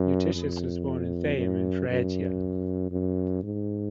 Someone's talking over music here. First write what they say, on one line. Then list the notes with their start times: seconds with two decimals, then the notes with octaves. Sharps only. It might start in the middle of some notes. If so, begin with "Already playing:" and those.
Eutychius was born at Theium in Phrygia.
Already playing: F#2
0.34 F2
1.37 F#2
1.88 F#2
2.91 F#2
3.43 G#2